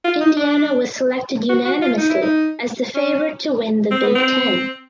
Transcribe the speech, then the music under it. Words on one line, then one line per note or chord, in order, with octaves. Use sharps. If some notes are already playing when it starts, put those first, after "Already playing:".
Indiana was selected unanimously as the favorite to win the Big Ten.
F4
D#4
D4
F#4
F#4
F4
D#4
E4
D#4
C#4
C4
B3
C4